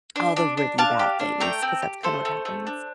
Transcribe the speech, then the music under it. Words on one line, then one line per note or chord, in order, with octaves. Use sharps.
all the really bad things 'cause that's kinda what happens.
D4
D4
D4
D4 F5 A5
G4
D4
A3 G5 A#5
C4
G4
A3 A4 C5
A3
A3
D4